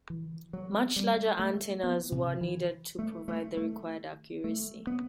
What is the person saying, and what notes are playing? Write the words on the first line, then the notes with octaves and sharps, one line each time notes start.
Much larger antennas were needed to provide the required accuracy.
E3
F#3
G3
A3
B3
C3
E3
A3
A3
A3
A3
B3